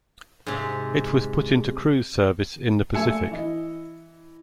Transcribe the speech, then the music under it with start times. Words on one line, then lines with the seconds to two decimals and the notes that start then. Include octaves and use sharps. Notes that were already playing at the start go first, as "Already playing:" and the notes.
It was put into cruise service in the Pacific.
0.47 G#2 C3
2.94 A#1 A3 E5 G#5 E6 C#7
3.31 E3 D#5